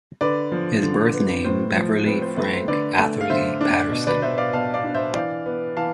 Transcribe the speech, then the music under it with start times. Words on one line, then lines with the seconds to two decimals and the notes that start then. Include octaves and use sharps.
His birth name: Beverley Frank Atherly Patterson.
0.21 D3 B4 D5
0.52 F3
0.83 D3
1.14 B3
1.44 A2 C5
1.75 F3
2.06 C4 B4
2.22 C5
2.37 A3 B4
2.53 C5
2.68 D3 B4 D5
2.99 A3
3.21 F5
3.30 D3 C5 E5
3.61 D4
3.91 B2
4.07 B4 D5
4.22 B3 C5 E5
4.38 D5 F5
4.53 B2 F5 A5
4.74 D5 F5
4.84 D4
4.94 C5 E5
5.15 E3 D5 F5
5.46 B3
5.77 E3 F5 A5